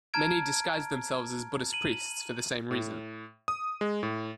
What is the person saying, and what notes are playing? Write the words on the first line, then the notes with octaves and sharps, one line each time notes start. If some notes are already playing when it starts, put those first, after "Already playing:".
Many disguised themselves as Buddhist priests for the same reason.
A5 A#5 F6 G#6 D7
D#7 F#7
A2
D#6
G#3
A2